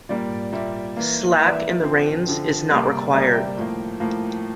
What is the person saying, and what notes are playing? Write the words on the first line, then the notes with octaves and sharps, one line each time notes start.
Slack in the reins is not required.
A#2 G3 A#3 D5
A#2 G3 A#3 E5
E3 A#3
E3 A#3 E5
D5
E5
D3 F3 C4
D3 F3 C4
C3 G3 A#3 D5
C3 G3 A#3 E5
G5
A2 F3 A#3
A2 F3 A#3